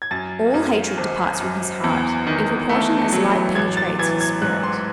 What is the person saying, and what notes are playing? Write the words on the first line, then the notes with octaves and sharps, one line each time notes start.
All hatred departs from his heart, in proportion as light penetrates his spirit.
G#6
F#2 A6
F#2
G#1
F#2
E2
D#3
A3
F#3
A1 G#6
A6
E3 G#6
G#6
G#2 F#6
C6